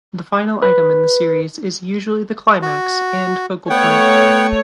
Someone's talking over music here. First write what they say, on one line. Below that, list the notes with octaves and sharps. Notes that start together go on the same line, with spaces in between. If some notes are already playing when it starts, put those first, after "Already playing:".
The final item in the series is usually the climax and focal point.
B4
F#4
A3 B3 C#5 F#5 G5